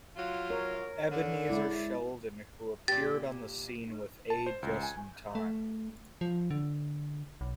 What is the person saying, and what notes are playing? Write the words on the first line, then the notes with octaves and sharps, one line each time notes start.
Ebenezer Sheldon, who appeared on the scene with aid just in time.
F#3 F4
A#4 C#5
D3
G#3 E4 D5
A#2 G4 A6
A5
C5
C#2
G#5
A3
F3
D3
B1